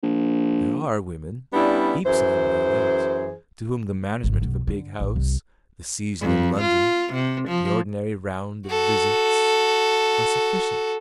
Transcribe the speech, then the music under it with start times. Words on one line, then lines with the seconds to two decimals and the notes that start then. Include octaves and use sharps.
There are women, heaps of them, no doubt, to whom the management of a big house, the season in London, the ordinary round of visits, are sufficient.
0.03 A#1
1.54 G3 B3 C#4 D4 E4
2.06 F#2 E3 G#4 C5
4.23 G#1 C#3
4.41 B1 F#2
4.67 D3
5.00 A1
5.16 C2
6.22 F2
6.61 F4
7.14 C3
7.49 F3
8.68 F#4 A4